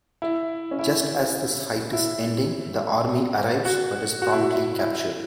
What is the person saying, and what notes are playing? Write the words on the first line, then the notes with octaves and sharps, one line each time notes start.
Just as this fight is ending, the army arrives but is promptly captured.
E4
C#4
E4
E4
F#4
F#4
E4
F#4
E4